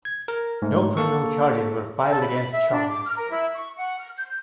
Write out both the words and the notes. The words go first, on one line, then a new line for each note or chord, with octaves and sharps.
No criminal charges were filed against Chong.
G#6
A#4
G#2 A3
A#3 A4 C#6
A4
B5
E5
D4
D6
F6
A#4
E4
C#6
F#5
F6
G6